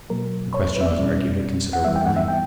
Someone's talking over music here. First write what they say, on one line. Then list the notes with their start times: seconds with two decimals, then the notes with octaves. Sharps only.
The question was argued at considerable length.
0.10 B2 F#3 A#3 A#4
0.54 C#5
0.65 C#5
0.76 B4
0.81 E5
0.86 D5
0.98 B2 G3 C#4
1.73 F#5
1.84 E3 G3 B3 E5
1.96 G5
2.06 F#5
2.16 E5
2.28 G5